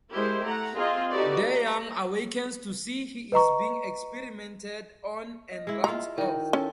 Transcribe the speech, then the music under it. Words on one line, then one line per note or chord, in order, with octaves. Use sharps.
DeYoung awakens to see he is being experimented on and runs off.
G#3 E4 G4 A#4 C5
A3 F#5 A#5
C4 F4 G#4 D#5
D#4 F#4 G4 A4 B4 D5
A#5
B4 D#5 A#5 C#6
D#5 A#6
G#3 E4
E4 F4 A#5
D#3 E4 F#4 A#4 G5
C#4 A4